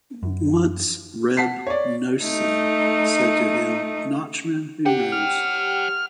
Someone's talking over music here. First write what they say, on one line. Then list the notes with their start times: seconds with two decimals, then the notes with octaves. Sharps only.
Once Reb Noson said to him, Nachman, who knows?
0.23 F#2
1.37 F#5 A5 B6 C7
1.67 C#5 D5
2.22 A3 D#4
4.86 G4 C#5 F#5
5.12 F6